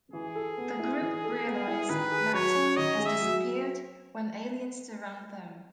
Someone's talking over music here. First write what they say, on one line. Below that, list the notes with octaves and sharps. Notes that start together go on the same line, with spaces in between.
The group realize Matt has disappeared, when aliens surround them.
E3 G#4
A4
B3
E4
E3
A4
B3
E4
D#3 B4
G#4
F#3 C#5
C#4
D#3 D#5
G#4
E5
F#3